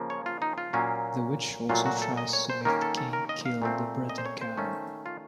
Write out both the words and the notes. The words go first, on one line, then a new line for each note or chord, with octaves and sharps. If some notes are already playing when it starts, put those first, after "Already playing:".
The witch also tries to make the king kill the Breton cow.
Already playing: C#3 F3 A#3
C#5
F4
D#4
F4
A#2 F#3 A#3 C#4
A#2 F#3 A3 F4
F#4
A4
D#5
C#5
C5
D#3 A#3 C#4 A#4
A4
A4
A#4
D#5
F5
A#2 A3 C4
D#5
C5
C#5
C5
D#3 A3 C#4
F4